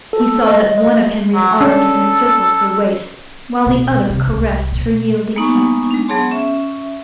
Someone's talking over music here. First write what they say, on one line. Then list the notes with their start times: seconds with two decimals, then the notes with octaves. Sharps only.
He saw that one of Henry's arms encircled her waist, while the other caressed her yielding hand.
0.13 A4
0.48 D#5
0.78 D#5
1.34 F#3
1.61 C#4 D4 A4
3.66 B2
3.91 G3
4.10 C3
4.27 C2
4.42 C2
4.72 B2
5.35 G#3 A#3 B3 D#4 G#5 C#6
5.91 G#3 D4
6.08 F#3 B3 G#4 C#5 A5 C6
6.31 C#4 E5